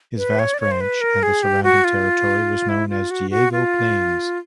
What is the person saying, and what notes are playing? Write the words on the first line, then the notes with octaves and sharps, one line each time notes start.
His vast ranch and the surrounding territory was known as Diego Plains.
B4
C#5
D5
C#5
C5
B4
A#4
G#4
G4
F#4
F4
E4
F4
F#4
F#4
F4